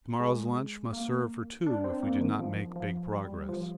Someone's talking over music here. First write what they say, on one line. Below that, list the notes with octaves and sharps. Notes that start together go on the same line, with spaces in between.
To-morrow's lunch must serve for two if we do not make big progress.
G#3
A#3
D4
C4
A#3
D#3
F3
F3
G3
F3